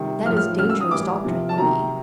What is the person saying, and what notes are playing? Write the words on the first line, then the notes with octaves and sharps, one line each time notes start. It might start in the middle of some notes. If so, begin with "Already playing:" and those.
"That is dangerous doctrine, Louis."
Already playing: C3 D#3 G3
A2 F3 F6
F6
C#3 F#3 F6
E6
D#6
A2 E3 G3 D6
C3 F3
A5
C3 D#3 F#3 A#5